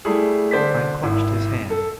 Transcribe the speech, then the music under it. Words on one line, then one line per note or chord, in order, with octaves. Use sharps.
I clutched his hand.
G3 A3 E4 G#4
D3 C5 D5 B6
G#1 E4
A4